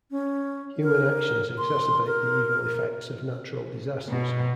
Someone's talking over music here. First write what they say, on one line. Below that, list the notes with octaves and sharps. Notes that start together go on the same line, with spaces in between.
Human actions exacerbate the evil effects of natural disasters.
C#4
A#4
C6
A#4
B2